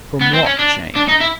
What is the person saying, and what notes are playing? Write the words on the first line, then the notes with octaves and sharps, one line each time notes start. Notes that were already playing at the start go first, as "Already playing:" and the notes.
"From what, Jane?"
B3
C4
C#4
D4
D4
D#4
E4